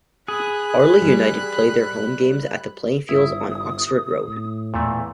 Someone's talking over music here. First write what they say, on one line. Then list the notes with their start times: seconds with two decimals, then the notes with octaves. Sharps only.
Ardley United play their home games at the Playing Fields on Oxford Road.
0.28 G#4 B5 F#6
1.02 G3
3.09 G1 E4 D#6
4.24 A2
4.74 E2 A#2 A3